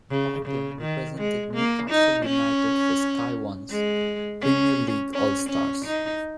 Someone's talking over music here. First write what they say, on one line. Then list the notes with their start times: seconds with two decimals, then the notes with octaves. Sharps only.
Barton represented Newcastle United for Sky One's "Premier League All Stars".
0.11 C#3
0.46 C#3
0.82 D#3
1.18 G#3
1.54 A#3
1.91 D#4
2.26 C#4
3.70 G#3
4.42 C#4
5.14 C#4
5.49 C#4
5.86 D#4